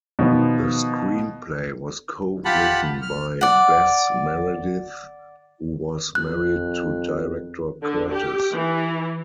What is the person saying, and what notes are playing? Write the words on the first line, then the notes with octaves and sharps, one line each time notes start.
The screenplay was co-written by Bess Meredyth, who was married to director Curtiz.
B2 D#3 F3 B3
F4 G4 F#5 A5 B5
F6
D5 F#5
F2 F#6
D3
G4
E3